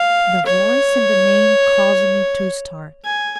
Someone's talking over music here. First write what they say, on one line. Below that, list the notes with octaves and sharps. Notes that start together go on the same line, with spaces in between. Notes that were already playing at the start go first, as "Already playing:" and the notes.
The voice and the name caused me to start.
Already playing: F5
C#5
G#5